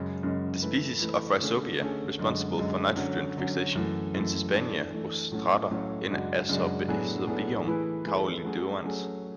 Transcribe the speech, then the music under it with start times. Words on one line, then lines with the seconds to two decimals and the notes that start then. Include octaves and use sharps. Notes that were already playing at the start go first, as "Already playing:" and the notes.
The species of rhizobia responsible for nitrogen fixation in "Sesbania rostrata" is "Azorhizobium caulinodans".
Already playing: F#2 C#3 G#3 C#4
0.23 F#2 C#3 G#3 C#4
0.62 E3 A3 E4 B4
1.01 E3 A3 E4 B4
1.41 D3 A3 C#4 G#4
1.79 D3 A3 C#4 G#4
2.19 F#2 D3 G#3
2.58 F#2 D3 G#3
2.97 D3 F#3 C#4
3.36 D3 F#3 C#4
3.75 F#2 E3 A3
4.14 F#2 E3 A3
4.53 E3 A3 D4
4.92 E3 A3 D4
5.32 A2 F#3 A3 C#4
5.71 A2 F#3 A3 C#4
6.10 F#2 C#3 G#3 D4 F#4
6.49 F#2 C#3 G#3 D4 F#4
6.88 A2 F#3 B3 D4 G#4
7.27 A2 F#3 B3 D4 G#4
7.66 E3 A3 E4 G#4 B4
8.05 E3 A3 E4 G#4 B4
8.45 F#3 A3 C#4 G#4
8.84 F#3 A3 C#4 G#4